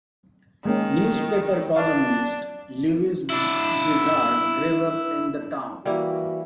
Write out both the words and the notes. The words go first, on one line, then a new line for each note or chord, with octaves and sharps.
Newspaper columnist Lewis Grizzard grew up in the town.
D#3 G#3 A#3 C#4
D4 F5
D4 E4
E3 G3 A#3 E4 F#4